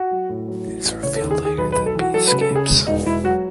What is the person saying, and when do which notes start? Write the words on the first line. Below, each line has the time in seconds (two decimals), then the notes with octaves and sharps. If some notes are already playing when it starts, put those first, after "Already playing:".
It is revealed later that be escapes.
Already playing: F#4
0.11 F#3
0.29 A2
0.48 F#3
0.67 A1
0.85 A1
1.03 C#3 C#5
1.16 A4
1.21 D#2
1.31 G#4
1.40 D#2
1.45 G#4
1.58 B1 B4
1.72 B4
1.77 B1
1.86 A4
1.95 E3
2.00 F#4
2.14 F#3 A4
2.27 B4
2.32 C#3
2.41 A4
2.51 C#3 G#4
2.69 E1
2.87 E1 D#4
3.06 E1 E4
3.24 F#3 F#4